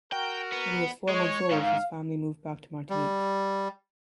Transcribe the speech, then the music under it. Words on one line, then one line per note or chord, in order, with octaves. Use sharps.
When he was four months old his family moved back to Martinique.
F#4 A#4 G5
B3
G#3 C#5
G#2 F5
G3